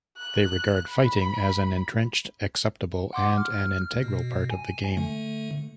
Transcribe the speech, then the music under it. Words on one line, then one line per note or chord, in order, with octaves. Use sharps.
They regard fighting as an entrenched, acceptable and an integral part of the game.
F#6
B5
F#5 C6 D6
F6
B2
G#5
D3 A3